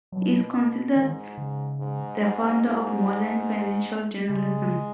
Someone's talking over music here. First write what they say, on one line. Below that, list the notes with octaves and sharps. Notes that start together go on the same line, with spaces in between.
He is considered the founder of modern financial journalism.
B2 F#3
G#2 D#3
C#3
G#2
G#2
G#2
C#3 G#3